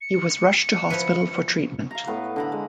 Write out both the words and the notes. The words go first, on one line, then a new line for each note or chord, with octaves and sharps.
He was rushed to hospital for treatment.
C#7
F3 E4 B4
F5 A#5
A2 B3 B4
D3 A#5 B5
G#3